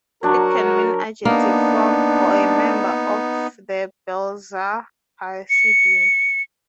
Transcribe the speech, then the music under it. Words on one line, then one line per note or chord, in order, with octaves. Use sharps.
It can mean adjective form, or a member of the Belzer Hasidim.
F#3 D4 F#4 A#4
A#3 B3 D4 D#4
C#7